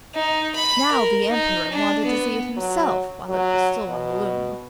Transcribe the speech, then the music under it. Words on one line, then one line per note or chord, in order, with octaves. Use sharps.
Now the Emperor wanted to see it himself while it was still on the loom.
D#4
B5
A#4
D#4
D4
B3
F#3
F#3
B2